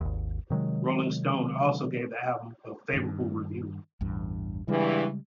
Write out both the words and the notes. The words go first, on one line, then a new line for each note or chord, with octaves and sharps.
"Rolling Stone" also gave the album a favourable review.
G#1 D#2
C3 D#3 F#3 G#3
G2 D#3
A1 E2 G2
E2 G2 C#3 E3 G3 G#3